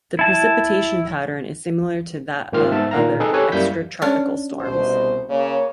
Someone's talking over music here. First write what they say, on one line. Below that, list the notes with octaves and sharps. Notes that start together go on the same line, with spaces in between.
The precipitation pattern is similar to that of other extratropical storms.
E4 A5
G#2 D#3 A#3 C4 F4 F6
G#2 B3 E5 A5
A#2 D#3 F5 A#5
C4 D#4 G#4 A4 B4
G4 A4 B4 C#5 G#5
F#2 G3 A#3 E4 G6 B6
C#4 D4
C2 B2 C5
C#3 A#3 C#5